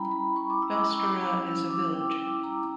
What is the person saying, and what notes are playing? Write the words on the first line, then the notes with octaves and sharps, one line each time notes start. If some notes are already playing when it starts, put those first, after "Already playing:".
Bastora is a village.
Already playing: G3 C#4 E4 G5 A#5 B5
B5
C#6
D6
E6
D6
G3 C#4 E4 E6
D6
G5
A#5